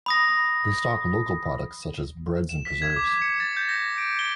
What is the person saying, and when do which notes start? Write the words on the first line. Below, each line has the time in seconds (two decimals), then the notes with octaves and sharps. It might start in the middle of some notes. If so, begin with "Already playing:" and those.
They stock local products such as breads and preserves.
0.06 B5 D#6 A#6
2.49 E7
2.65 B6
2.82 G#6
2.96 D6
3.22 C#7
3.40 A6
3.57 G6
3.69 A#6
3.98 D7
4.19 G7